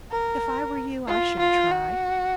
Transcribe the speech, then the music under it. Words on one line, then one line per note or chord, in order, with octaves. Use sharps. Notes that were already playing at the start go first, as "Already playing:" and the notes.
If I were you, I should try.
A#4
F4
F4
F#4